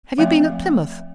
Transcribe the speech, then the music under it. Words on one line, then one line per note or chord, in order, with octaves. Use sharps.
'Have you been at Plymouth?
F3 A3 C4 E5